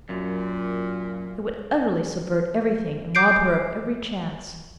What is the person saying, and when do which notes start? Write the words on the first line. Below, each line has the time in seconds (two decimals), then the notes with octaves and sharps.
It would utterly subvert everything and rob her of every chance.
0.09 F#2 A#2
3.15 D6 G6 C7 D7